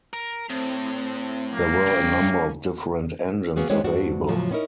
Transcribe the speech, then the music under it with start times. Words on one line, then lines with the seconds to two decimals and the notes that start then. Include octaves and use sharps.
There were a number of different engines available.
0.13 A#4
0.50 A2 C4
1.53 F#3 A#3
1.86 C#2 C#3 G3 C#4 G5
3.56 A#3 B3 C#4 F#4 G#4 B4
3.70 G#3 B3 C#4 G4 C5 C#5
3.84 E2 G2 D4 F#4 C5
4.27 F2 A2 C#3 F3 F#3
4.51 B3 C#4 D#4 E4 A#4